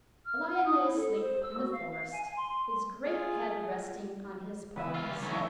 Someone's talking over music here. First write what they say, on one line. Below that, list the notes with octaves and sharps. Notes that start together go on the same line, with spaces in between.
A Lion lay asleep in the forest, his great head resting on his paws.
F6
F#5
D#6
E4
A4
C5
E6
F#4
F5
G#5
G#5
C6
F4 G#4
C#2 E3 B3 B4 E5
C#4 F4
G3
E3 F#3 A3 C#4 D#4
E5